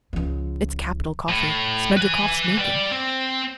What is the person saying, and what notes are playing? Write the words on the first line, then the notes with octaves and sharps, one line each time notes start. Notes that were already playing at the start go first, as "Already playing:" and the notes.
It's capital coffee: Smerdyakov's making.
C#2 F3
A2
B4 G#5
G3 D5
C4